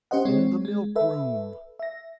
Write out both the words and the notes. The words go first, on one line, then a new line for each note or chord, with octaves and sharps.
"In the milk-room."
C#4 G4 C5 D#5 F#5
G#3 C4 C#5
G#3
A4 B4 E5
E5 A#6